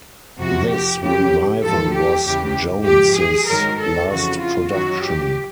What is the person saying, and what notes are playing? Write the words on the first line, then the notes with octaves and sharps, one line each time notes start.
This revival was Jones's last production.
F2 C3 F3 F#4
G4
F2 C#3 F3 G4
G#2 F3 A4
G4
E2 C#3 E3 G4
G#2 F3 G4
G#4
G#2 D#3 F#3 A#4
A4
F2 C#3 E3 F#4
F4
F#2 D#3 F#3 F#4
G4